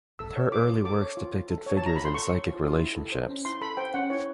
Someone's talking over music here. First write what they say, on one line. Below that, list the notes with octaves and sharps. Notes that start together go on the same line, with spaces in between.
Her early works depicted figures in psychic relationships.
A4 E6
C#5
F4 D6
F4
A4 D6
C#5
F4
F4
A4
C#5
A5
F4 A#5
F4 B5
C6
A4 C#6
C#5
F4
F4
E4
A4
C5
C#4
E4 C6
A4 B5
C5 G5
C#4 F#5
E4 C#5